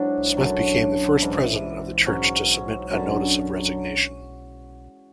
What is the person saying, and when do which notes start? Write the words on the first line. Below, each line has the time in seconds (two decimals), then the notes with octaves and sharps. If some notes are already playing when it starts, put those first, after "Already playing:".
Smith became the first president of the church to submit a notice of resignation.
Already playing: G#2 F#3 D4 E4
0.37 F#2 D3 F#3
1.22 G#2 E3
2.06 G#2 F#3 C#4
2.91 F#2 D3 F#3